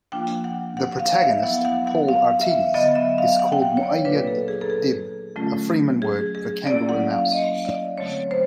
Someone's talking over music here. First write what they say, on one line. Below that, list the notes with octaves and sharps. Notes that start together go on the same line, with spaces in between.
The protagonist, Paul Atreides, is called Muad'Dib, a fremen word for kangaroo mouse.
F3 A#3 D4 F4 G5
F#5
F#5
F5
F5
E5
F#3 B3 E4 F#5
F#5
F#5
F5
E5
D3 F#3 B3 D#5
E5
F5
F#5
G5
F#5
C#5
D5
A#2 F#3 A#3 D4 F4 B4
A4
G#4
A4
G#4
D3 F#3 A3 C#4 F4
G#4
G#4
F#3 A#3 C#4 E4 D5
F#5
F5
D#5
D5
D3 F#3 A3 C4 C#5
C5